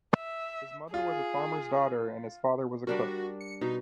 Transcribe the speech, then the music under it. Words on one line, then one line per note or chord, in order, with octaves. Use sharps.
His mother was a farmer's daughter and his father was a cook.
E5
F4 G#4
G3 D4 F#4 A#4
C#7
B2 D#4